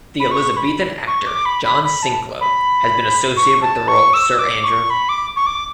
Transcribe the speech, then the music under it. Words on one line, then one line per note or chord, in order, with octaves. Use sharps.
The Elizabethan actor John Sinklo has been associated with the role of Sir Andrew.
B5
C#6
B5
C#6
D6
B5
B5
B5
A5
B5
C#6
A5
C#6
E6
D6
C#6
B5
D6
C#6
D6